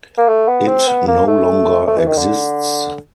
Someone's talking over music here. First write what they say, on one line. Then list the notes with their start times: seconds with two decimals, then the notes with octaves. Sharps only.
It no longer exists.
0.17 A#3
0.28 A3
0.48 B3
0.67 C4
0.87 B3
1.07 A#3
1.27 A3
1.87 A3
1.97 E3
2.07 D#3
2.18 D3